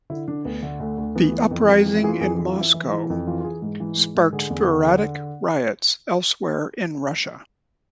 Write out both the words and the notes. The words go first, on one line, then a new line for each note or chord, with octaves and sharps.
The uprising in Moscow sparked sporadic riots elsewhere in Russia.
D3 E4
D3 D4
D2 B3
D3 A3
D2
D2
E3 B3
E3
F2
F2
E3
E4
E3 F4 G#4
F2 G#4
G#4
E3
F4
E3 E4
E3 E4
E3
F2
E3 F4
F4
E3 G#4
G#2
E3
G#2
G#2
D3 G#4
E2
D3
D3